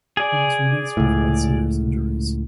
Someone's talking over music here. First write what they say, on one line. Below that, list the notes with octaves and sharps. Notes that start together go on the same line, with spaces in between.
He was released without serious injuries.
G#4 D5
C#2 A2